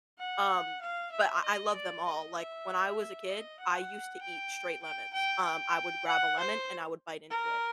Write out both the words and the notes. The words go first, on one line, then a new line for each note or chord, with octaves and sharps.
Um, but I I love them all, like, when I was a kid, I used to eat straight lemons, um, I would grab a lemon and I would bite into it;
F#5
F5
E5
D#5
D5
D#5
E5
D#5
F#5
G5
G5
G5
G5
F#5
C5
A#4